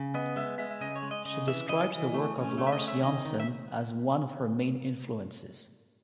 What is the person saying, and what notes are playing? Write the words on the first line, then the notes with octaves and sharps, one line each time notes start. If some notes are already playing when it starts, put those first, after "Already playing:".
She describes the work of Lars Jonsson as one of her main influences.
Already playing: C#3
B3 D#5
G#3 E5
G#3 E5
E5
C#3 D#5
C#5
G#3
D#5
C#3 D#5
E3 E5
E3 D#5
E3
A3
C#4
A3
E5
D#5
C#4
E5
D#3 D#5
D#3
E5